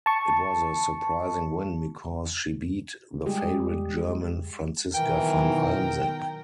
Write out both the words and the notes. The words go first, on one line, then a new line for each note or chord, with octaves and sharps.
It was a surprising win because she beat the favorite German Franziska van Almsick.
A5 C#6
G3 G#3 G4 G#4
B2 D#3 E3 F#3 A#4 G5